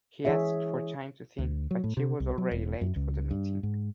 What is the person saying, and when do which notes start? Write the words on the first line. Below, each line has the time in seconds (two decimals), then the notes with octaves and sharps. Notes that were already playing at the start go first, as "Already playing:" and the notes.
He asked for time to think, but she was already late for the meeting.
0.25 E3 E4 G#4 C#5 E5
1.38 D2
1.71 F#3
1.84 A2
1.97 C3
2.20 C2
2.38 F#3
2.51 E1
2.81 F#2
2.96 C#2
3.31 G2
3.63 G#2